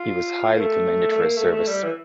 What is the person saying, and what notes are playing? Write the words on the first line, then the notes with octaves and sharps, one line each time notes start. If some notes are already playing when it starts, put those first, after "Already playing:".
He was highly commended for his service.
Already playing: F4
A#3
A3
A3
A#3
A3
A3
G3
E3